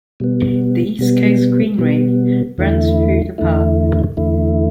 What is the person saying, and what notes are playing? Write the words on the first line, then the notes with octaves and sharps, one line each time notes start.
The East Coast Greenway runs through the park.
B2 G3 B3
B2 G3 B3
B2 G3 B3
E2 D3 A3 E4
E2 D3 A3 E4
E2 D3 A3 E4